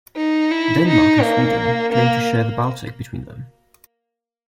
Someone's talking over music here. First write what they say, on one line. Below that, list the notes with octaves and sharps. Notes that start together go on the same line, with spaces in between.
Denmark and Sweden claimed to share the Baltic between them.
D#4
E4
D#4
A#3
A#3